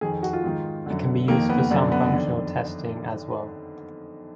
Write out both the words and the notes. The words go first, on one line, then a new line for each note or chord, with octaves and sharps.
It can be used for some functional testing as well.
F2 D#3 G#4
F#4
F4
G#2 D#3
F#2 D3
F2 D#3 A#3
B3
F#2 D3 D4
B3
F2 D#3 D4